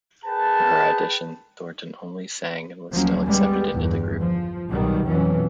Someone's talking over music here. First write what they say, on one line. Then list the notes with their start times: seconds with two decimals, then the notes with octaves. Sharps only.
For her audition, Thornton only sang and was still accepted into the group.
0.25 G#4 A#4 B4 G5 A5
2.93 D2 F3 F#3 A#3 C#4
3.27 G3 G#3 B3
3.72 G1 E2
4.19 F3
4.69 C2 B2 D#3 F#3 G3
5.08 F2 B2 E3 F#3 C#4